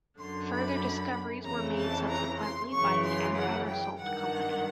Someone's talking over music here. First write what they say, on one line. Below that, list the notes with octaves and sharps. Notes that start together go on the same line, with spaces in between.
Further discoveries were made subsequently by the Empire Salt Company.
F#2 D3 C6
B5
F2 C#3 E3 A#5
A5
A#5
C6
F#2 C#3 E3 C#6
C6
F#5
G5
G2 D#3 F#5